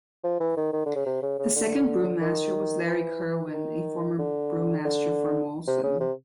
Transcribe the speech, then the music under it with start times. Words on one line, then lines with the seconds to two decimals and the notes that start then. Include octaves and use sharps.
The second brewmaster was Larry Kerwin, a former brewmaster for Molson.
0.24 F3
0.40 E3
0.57 D#3
0.73 D#3
0.86 D3
0.96 C#3
1.06 C3
1.22 C#3
1.39 C#3
1.56 D3
2.22 D#3
2.87 E3
3.53 D#3
4.19 D3
4.85 D3
5.68 C3
5.84 C#3
6.00 C3